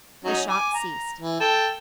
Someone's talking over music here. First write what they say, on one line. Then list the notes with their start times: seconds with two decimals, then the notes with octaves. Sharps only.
The shots ceased.
0.24 F#3 C#4 D#4
0.49 G#5 D6
0.74 A#5
1.20 E3
1.40 A4 G5